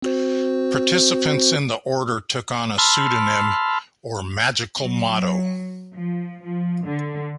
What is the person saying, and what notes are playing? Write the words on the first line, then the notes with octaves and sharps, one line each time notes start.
Participants in the Order took on a pseudonym or "magical motto".
C4 F#4 C5
A5 B5 C6 E6 F6
F#3
F#3
F3
F3
D3